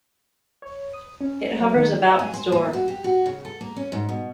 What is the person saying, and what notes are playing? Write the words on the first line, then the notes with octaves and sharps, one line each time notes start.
It hovers about his door.
C#5
D#6
C#4
F#3
D#3
G#5
C5
A#3
F#4
G4
F#4
C#3
A4
A#3
C#4
G#2
B2